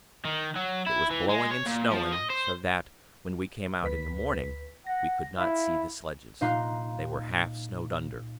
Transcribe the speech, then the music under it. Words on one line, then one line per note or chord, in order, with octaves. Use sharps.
It was blowing and snowing so that when we came out in the morning we could not see the sledges; they were half snowed under.
D#3
F#3
E4
E3
G#3
C#5
A#2
F3
D#5
C5
D2 B4 B6
F#5 A#6
E4 F5 B5
A#2 D#4 F5 C6 F#6